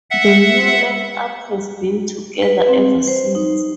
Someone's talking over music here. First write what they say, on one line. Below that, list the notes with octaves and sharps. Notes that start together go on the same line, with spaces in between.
The new line-up has been together ever since.
E5 F#5
B4
C4
C5
D#4